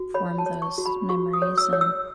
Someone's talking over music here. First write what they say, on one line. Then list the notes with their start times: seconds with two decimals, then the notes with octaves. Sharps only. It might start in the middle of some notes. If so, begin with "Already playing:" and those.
form those memories, and
Already playing: F#4
0.14 C#5 B5
0.38 A5
0.46 C#5
0.62 C#6
0.78 F#4
0.86 B5
1.09 F#4 C#6
1.33 D#6
1.42 C#5
1.58 E6
1.73 C#5
1.81 E6